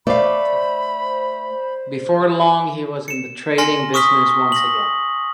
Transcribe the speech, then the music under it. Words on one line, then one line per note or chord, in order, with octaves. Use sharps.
Before long he was in the trading business once again.
A3 C5 D5 F5 B5
C#7 E7
G#5 C6 F6 A#6 C#7
C#6 D#6 F6 B6 G7
A#6 F#7